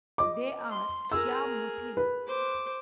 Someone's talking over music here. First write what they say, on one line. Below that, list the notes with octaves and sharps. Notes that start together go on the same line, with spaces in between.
They are Shia Muslims.
D#5 D6
C6
G#4 A#4 E6
B4
C5 D6